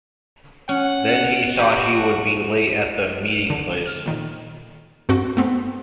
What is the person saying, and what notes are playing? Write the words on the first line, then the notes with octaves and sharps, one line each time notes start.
Then he thought he would be late at the meeting-place.
C#4 F#5
F#4 G4 B4 C#5
D3
F6
A#2 D#3
G2 C4 F#4 F#6
A3 B3 C4